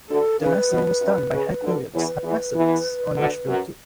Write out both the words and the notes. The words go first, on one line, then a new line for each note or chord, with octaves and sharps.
The mastering was done by Hank Williams at MasterMix, on Nashville too.
D2 D3 A4
C#3 B4
B2
F#2
C#3
D2 D3
E2 E3 C#5
B4
E2 E3
E2 E3
D2 D3
F#2 F#3